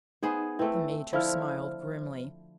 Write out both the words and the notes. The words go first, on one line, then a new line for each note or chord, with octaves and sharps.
The Major smiled grimly.
B3 D#4 G#4 C5
A3 C4 E4 B4
D3 F3 E4 C5 F6